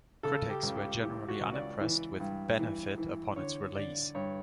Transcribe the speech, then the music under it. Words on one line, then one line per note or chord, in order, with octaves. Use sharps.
Critics were generally unimpressed with "Benefit" upon its release.
C#3 A4
G4
C#2
G4
E3 G4
F#4
C#2
D5
E3
G2
E3
E3
D3 C#5
D3 D5
G2 C#5